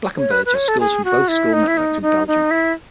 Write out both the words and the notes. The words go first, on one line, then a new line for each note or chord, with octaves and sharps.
Blankenberge has schools from both school networks in Belgium.
C#5
B4
B4
C#5
A4
G#4
F#4
E4
D#4
E4
D#4
D#4
D#4
E4